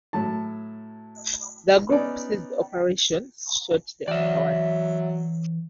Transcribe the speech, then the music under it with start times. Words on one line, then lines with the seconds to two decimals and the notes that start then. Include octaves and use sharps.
The group ceased operations shortly afterwards.
0.13 A2 F#3 A5
1.90 B3 C#4 D#4 D5
4.08 E3 F#3 D5 E5